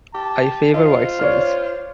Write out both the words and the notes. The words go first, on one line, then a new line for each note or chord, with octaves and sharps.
I favor white sails.
G4 A5
F4 C5 D#5
C#5 D5 F6